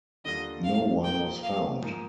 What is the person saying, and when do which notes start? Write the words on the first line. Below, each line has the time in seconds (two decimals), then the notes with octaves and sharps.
No one was found.
0.24 D#2 D3 G3 D4 F4 D#5
0.64 F5
1.03 A#2 F3 A#3 D#4 G5
1.43 F5
1.82 G#2 F3 A#3 D#4